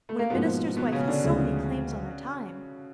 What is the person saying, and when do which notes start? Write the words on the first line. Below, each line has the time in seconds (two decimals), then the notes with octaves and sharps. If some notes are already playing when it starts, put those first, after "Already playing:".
When a minister's wife has so many claims on her time!
0.09 A3
0.19 A#3
0.30 G#2 B2 F3 A#3 B3
0.77 B2 B3
0.92 C#3 C#4
1.08 D3 D4
1.24 D2 C#3 F3 G#3